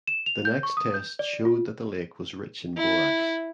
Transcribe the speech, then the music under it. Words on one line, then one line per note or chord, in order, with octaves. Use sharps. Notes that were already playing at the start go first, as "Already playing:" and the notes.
The next test showed that the lake was rich in borax.
E7
F7
G6
C#6
D#6
G6
D5
F4
E4